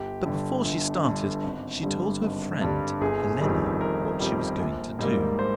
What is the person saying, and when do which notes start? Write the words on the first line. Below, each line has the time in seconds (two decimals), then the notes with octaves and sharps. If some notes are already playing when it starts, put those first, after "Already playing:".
But before she started, she told her friend, Helena, what she was going to do.
Already playing: G1 G4
0.26 G2 D3
0.65 G1
1.04 G2 D3
1.43 G#1
1.83 G2 D3 G3
2.22 G#1
2.61 G2 D3 G3
3.01 G1 G#4
3.41 F2 D#3 G3
3.80 G1 A#4
4.20 F2 D#3 G3
4.60 A#1
4.99 G#2 G3 A#3
5.39 C5